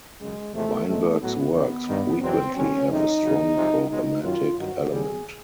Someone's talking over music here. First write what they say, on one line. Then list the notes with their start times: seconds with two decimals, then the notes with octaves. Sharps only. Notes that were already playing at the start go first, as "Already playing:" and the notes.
Weinberg's works frequently have a strong programmatic element.
0.19 F#2 C#3 F#3 G#3
0.54 E2 C3 F3 G#3 A3
0.87 F2 C3 D#3 G#3 A3
1.20 A2 F#3 B3
1.54 D#2 D#3 F#3
1.88 G2 D#3 G3
2.21 E2 B2 F#3 C4
2.55 D#2 D3 F#3 C#4
2.88 F2 C3 D#3 G#3 D#4
3.22 E2 C#3 F#3
3.56 C2 C3 F3 G#3
3.89 C#2 B2 G#3 D#4
4.22 F#2 D#3 F#3 F4
4.56 G2 D#3 F#3 F#4
4.90 D#2 D3 G3 G#4